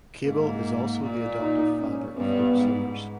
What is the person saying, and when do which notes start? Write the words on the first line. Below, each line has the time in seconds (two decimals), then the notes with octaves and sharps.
Cable is also the adoptive father of Hope Summers.
0.24 G#2 A#3
1.02 A#2
1.40 D#4
1.79 C#4
2.17 G2 B3
2.55 G#2